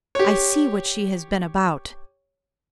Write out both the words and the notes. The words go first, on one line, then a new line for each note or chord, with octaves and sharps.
I see what she has been about.
G4 C#5